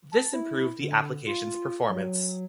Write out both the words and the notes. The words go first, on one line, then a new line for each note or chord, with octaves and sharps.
This improved the application's performance.
A5
E4
D3
F4
F#3